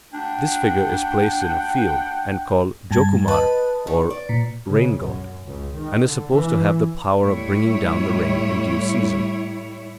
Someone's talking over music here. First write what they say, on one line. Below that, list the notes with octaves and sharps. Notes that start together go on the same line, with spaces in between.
This figure is placed in a field, and called Jokumara or rain-god, and is supposed to have the power of bringing down the rain in due season.
D4 F#5 G5
G2 A5 G#6
B4 D#5 A5
D#3
D5
A#2
C#3
F#2
C#2
D#3
D3
E3
A2 G3 E4 C#5